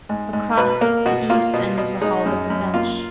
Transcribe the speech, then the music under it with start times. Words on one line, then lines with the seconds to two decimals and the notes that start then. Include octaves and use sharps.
Across the east end of the hall was a bench.
0.09 G#2
0.33 G#2
0.57 B2 B4
0.81 A#3 A#4
1.06 B2 F#4
1.30 A#3 F4
1.54 B2
1.78 B2
2.01 G#3 D#4
2.26 F#2
2.50 F#2
2.74 A#3 F4